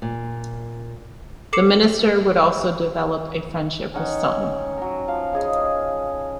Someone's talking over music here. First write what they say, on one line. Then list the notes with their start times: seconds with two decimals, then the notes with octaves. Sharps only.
The minister would also develop a friendship with Sun.
0.02 A#2
1.53 A4 D6 C7 C#7 E7
3.94 C#4 D#4 F#5 G5
4.78 F#3 A#5
5.08 F3 F5
5.33 C#3 G#4 D#5